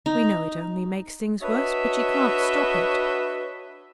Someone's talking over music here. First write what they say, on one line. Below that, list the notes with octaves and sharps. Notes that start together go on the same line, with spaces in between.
"We know it only makes things worse, but she can't stop it."
D#4
D4 F#4 B4 C#5 D#5 E5